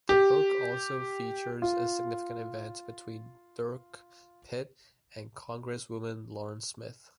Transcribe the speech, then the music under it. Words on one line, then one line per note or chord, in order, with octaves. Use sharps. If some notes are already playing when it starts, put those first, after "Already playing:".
The book also features a significant event between Dirk Pitt and Congresswoman Loren Smith.
G4
F4